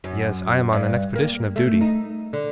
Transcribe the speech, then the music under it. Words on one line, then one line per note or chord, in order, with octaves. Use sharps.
'Yes, I am on an expedition of duty.
F#2
G2
A#3
A3
D#4
D3